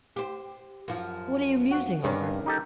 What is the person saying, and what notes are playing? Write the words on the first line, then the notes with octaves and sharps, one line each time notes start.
"What are you musing over?"
G4 C5
F#2 F3
F#4
G2 D#3 G3 C#4
D#4 G4 A4